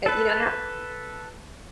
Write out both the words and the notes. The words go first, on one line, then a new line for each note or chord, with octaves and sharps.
uh, you know how
A4 B4